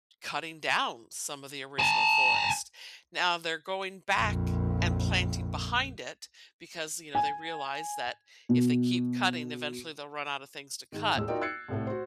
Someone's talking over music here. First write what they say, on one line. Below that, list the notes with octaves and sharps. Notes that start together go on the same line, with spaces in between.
cutting down some of the original forest. Now they're going back and planting behind it because, you know, they realize that if they keep cutting, eventually, they'll run out of things to cut.
G#5 A5
A#1 F2
G#5
B2
G#2 D#3
D#1 A2 G#3 E6
D#4 F4 F#4 A#4 D5 G5
E6 F#6 G#6 A6 C7 C#7
C2 A2 A3
F#4 C5